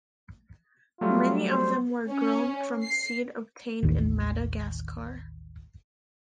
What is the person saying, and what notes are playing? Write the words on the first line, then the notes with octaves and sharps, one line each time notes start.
Many of them were grown from seed obtained in Madagascar.
F#3 G3 A3 F4
C5
C#4
C7
A1 D#2 D#3